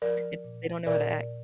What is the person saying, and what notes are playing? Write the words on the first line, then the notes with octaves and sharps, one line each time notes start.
eh, they don't know how to act.
F3 A#4 D5
A#2
A#2 A#4 D5